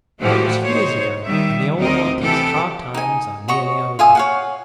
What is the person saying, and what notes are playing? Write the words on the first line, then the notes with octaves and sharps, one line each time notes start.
That was years ago, and the old aunty's hard times are nearly over.
A2 D3 E3 F3 F#4 G4
D#4 C5 C#5
D#3 G3 E5
D2 C4 D#4 A#4 D#5
C3 E3 G4 A4
D#4 G#5
F#4 C#5 D#5 C#6
F4 E5 G#5 D#6
C#5 F5 F#5